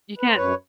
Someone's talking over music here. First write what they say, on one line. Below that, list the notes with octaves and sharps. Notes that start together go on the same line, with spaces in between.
You can't.
B4
C5
F#2 B4 C#5